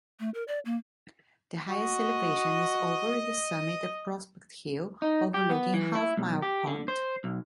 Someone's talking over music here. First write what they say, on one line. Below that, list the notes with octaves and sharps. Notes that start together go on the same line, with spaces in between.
The highest elevation is over at the summit of Prospect Hill, overlooking Halfmile Pond.
A3
A#4
D5
A#3
F#4 D#5
D#4
G4
B3
E3
E4
B1
G4
D3
C5
B1